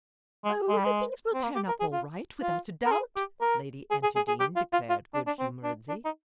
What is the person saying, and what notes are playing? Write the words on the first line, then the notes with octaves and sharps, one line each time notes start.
"Oh! the things will turn up all right, without a doubt," Lady Enterdean declared good-humoredly.
G#3
G#3
G3
G#3
C4
A#3
G4
A#4
G#4
F4
F4
A#4
G#4
G4
A#4
G#4
G#4
G#4
G#4
G4
F4
F4
F4
D4
D4
C4
D4
D4
D#4